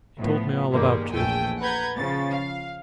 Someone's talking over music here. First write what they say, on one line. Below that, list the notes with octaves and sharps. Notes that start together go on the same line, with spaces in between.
He told me all about you....
A2 F3 B3
G2 D#3 G3 G#3 A#3
A#1 E2 A3 A4 G5 G#5
B4 F#5 A#5 B5 G6 G#6
C#3 F3 A6
F5